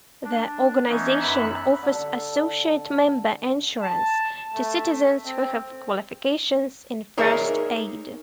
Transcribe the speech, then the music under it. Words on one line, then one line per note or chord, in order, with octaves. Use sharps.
The organisation offers associate member insurance to citizens who have qualifications in First Aid.
D4
E3 B3 C#4 D#4
F#2 E5 B5 F#6
D3 A4
A5
A3
C4
D#4 G#4 A#4 C#5 D5 E5